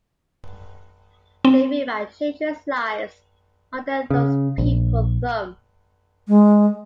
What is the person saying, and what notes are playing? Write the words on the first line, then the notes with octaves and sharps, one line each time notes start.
Leaving my children's lives under those people thumb.
C4
C#3
A#1
G#3